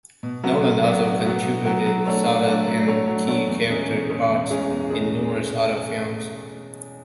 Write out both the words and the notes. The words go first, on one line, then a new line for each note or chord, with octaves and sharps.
Nolan also contributed solid and key character parts in numerous other films.
B2
F#3 B3 F#4
B2
F#3 B3 F#4
B2
F#3 B3 F#4
B2
F#3 B3 F#4
F#3
A3 D4 A4 C#5
F#3
A3 D4 A4 C#5
F#3
A3 D4 A4 C#5
F#3
A3 D4 A4 C#5
E2
B2 G#3 C#4 G#4
E2
B2 G#3 C#4 G#4
E2
B2 G#3 C#4 G#4
E2
B2 G#3 C#4 G#4